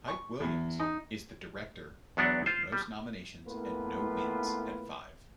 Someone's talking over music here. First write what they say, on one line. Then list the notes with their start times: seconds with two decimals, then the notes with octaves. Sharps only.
Hype Williams is the director with most nominations and no wins at five.
0.08 C#6
0.40 E2
0.80 D#4
2.17 E2 F#3 B3 D4 F#5
2.46 F4 C5
2.72 G3
3.47 A2 A#3 B3 F4 B4